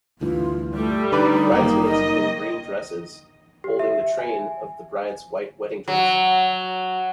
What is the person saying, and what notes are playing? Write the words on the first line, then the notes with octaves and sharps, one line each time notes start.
Bridesmaids in green dresses holding the train of the bride 's white wedding dress.
D2 G2 E3 F4
G3 A3
D3 D#4 B4 D5
F#1 D#3 A#3
D#5
G4
E5
G#5
F#3